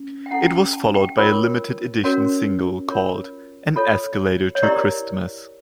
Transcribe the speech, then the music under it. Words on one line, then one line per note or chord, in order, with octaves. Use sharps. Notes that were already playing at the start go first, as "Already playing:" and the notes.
It was followed by a limited-edition single called "An Escalator to Christmas".
Already playing: C#4
G5
C#4 E4 A4 F#5
G5
G#5
A5
G5
F4 A#4 C#5
C#4 F#4 A#4 C#5
F4 A#4 C#5
F4 A4 C#5
C#5
E4 G4 A#4 D5